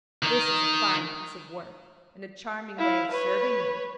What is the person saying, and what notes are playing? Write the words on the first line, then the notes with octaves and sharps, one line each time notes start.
This is a fine piece of work, and a charming way of serving me!
D#3 D#4
E4 F5
B4 C#5